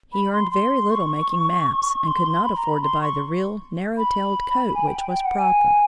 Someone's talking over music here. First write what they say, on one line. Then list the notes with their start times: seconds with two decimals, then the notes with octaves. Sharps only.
He earned very little making maps and could not afford to buy the real, narrow-tailed coat which was proper.
0.12 B5
0.32 C6
0.51 C6
0.90 C#6
2.05 C6
2.44 B5
2.57 A#5
2.69 B5
2.82 C6
3.01 C#6
3.97 B5
4.74 G#5
4.87 G5
4.99 G5
5.12 G5
5.25 F#5
5.38 G#5